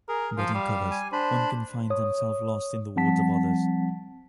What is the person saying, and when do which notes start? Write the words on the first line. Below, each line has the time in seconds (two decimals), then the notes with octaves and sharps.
But in covers one can find themself lost in the words of others.
0.09 G#4 A#4
0.38 F3 F5
0.54 G3
0.91 G#5
1.13 D4 C5 B5
1.90 C#5 D#6
2.96 F3 G3 C4 F#5 A5 B6